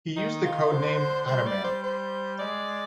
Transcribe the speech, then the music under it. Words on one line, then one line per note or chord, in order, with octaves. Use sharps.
He used the code name "Ataman".
D#3 D#4
F4
D3 C5
G3 C5
D5
C5
C5
G#3 D5